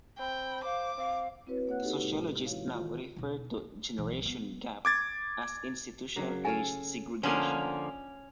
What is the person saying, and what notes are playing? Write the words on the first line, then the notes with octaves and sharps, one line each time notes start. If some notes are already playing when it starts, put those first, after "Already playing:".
Sociologists now refer to "generation gap" as "institutional age segregation".
C4 G5 B5
C5 F5 D6
C4 F5
C4 E4 F#4 B4 C#5
A#3 C#5 F#5 F#6
D#4 F#4 G4 A4
A2 C3 G#3 D#4
E3 E4 F#4 C#5 F5
D#3 F4
E1 D#4
D4
B1 E3
G#3 B3
D6 G#6 A6
C#3 F#3 A#3
A4 C#5 F5 G#5
D3 F3 A#3 C#4